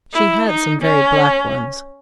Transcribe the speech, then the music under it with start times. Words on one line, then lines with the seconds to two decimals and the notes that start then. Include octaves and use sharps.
She had some very black ones.
0.13 E4
0.48 D#4
0.82 C#4